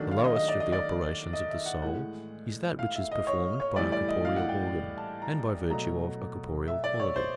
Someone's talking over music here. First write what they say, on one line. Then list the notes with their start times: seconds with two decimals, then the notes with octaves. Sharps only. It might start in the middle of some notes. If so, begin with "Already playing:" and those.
The lowest of the operations of the soul is that which is performed by a corporeal organ, and by virtue of a corporeal quality.
Already playing: D#3 F#3 A3 D4
0.11 F5
0.24 D#5
0.36 D#5
0.48 D5
0.60 D#5
0.72 D5
1.33 D#5
1.50 E5
1.66 F#5
1.82 A2 E3 G#3 F#5
2.79 F5
2.95 E5
3.11 D#5
3.27 C#5
3.60 C#5
3.76 A2 E3 G3 D5
3.92 D5
4.09 D#5
4.25 F5
4.36 F#5
4.49 G5
4.98 A5
5.22 A#5
5.70 B2 F#3 A3 A#5
6.68 E5
6.84 D5
7.00 C#5
7.16 C5